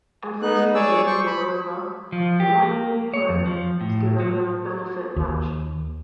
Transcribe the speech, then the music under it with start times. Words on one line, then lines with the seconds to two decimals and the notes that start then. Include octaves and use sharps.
Every season, moreover, the Blackpool pro was given a benefit match.
0.42 B3 D#4 F#6
0.75 G#4 C#5 D5 E6
1.07 C5 C#6
1.27 B5
2.12 F3
2.40 G4
2.63 A#3
3.14 C#5
3.29 F2
3.46 F3
3.81 A2
4.20 F#3
5.16 D#2